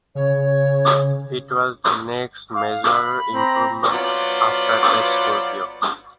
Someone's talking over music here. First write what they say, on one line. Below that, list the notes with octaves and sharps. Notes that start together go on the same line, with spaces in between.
It was the next major improvement after the scorpio.
C#3 C#5
F5
B5
C4 A#5
F#3 B3 F4 C5 D5